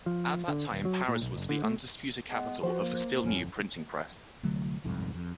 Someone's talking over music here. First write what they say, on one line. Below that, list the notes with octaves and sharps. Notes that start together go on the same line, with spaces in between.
At that time Paris was the undisputed capital of the still-new printing press.
F3
D3
D#1
F#3
A#2
B1
F#1
D3
A3
G#3 B3
F3 F#4 C5
A#3
G1 F2 A2 C#4
C2 D3 F#3 A3
G1 C2 F2 G#2
F2